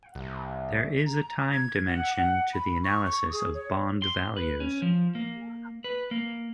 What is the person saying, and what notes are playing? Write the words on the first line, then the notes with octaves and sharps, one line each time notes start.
There is a time dimension to the analysis of bond values.
C2
A#5
G#6
F#5
F#5
B5
C#6
C#6
G#4
C#5
C6
B4
C#4
F3
A#3
B4
A#3